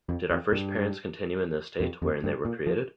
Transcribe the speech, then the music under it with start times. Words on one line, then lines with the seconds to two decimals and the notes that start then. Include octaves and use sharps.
Did our first parents continue in the estate wherein they were created?
0.09 F2
0.30 F2
0.52 G2
1.80 F2
2.02 F2
2.24 G2
2.45 A#2
2.67 F3